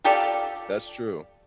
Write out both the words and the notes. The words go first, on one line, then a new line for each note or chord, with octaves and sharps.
That's true.
F4 G4 A4 D5